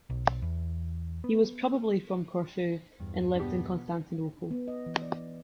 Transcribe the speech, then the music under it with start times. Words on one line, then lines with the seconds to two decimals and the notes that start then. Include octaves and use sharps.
He was probably from Corfu and lived in Constantinople.
0.10 B1
0.42 E2
1.24 B3
3.00 E2 G2
3.36 B2 B3 D4 G4
4.51 B3
4.68 D#5
4.86 E3
5.02 D5